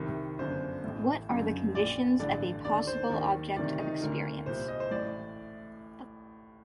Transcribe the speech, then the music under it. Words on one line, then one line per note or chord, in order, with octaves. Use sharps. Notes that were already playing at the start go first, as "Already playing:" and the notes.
What are the conditions of a possible object of experience?
Already playing: C2 C3 D#3
G1 F#2 D3 C5
A1 A2
F#1 F#2 D3
A#1 A#2 D5
A1 G2 D3 D5
D#2 D3 D5
C5
D#2 D#3 D5
D2 C3 D#3 D5
D#4
D2 D3 A#4
C2 A#2 C5
D#5
C5
A1 A2 D5